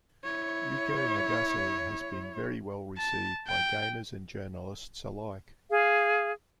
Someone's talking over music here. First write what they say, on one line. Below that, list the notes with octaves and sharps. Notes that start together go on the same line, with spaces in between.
Reiko Nagase has been very well received by gamers and journalists alike.
E4 C#5
A5
G5
G#4 F5